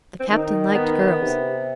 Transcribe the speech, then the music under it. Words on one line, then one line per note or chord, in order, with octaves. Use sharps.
The Captain liked girls.
C4
D#3 D#4
B3
C3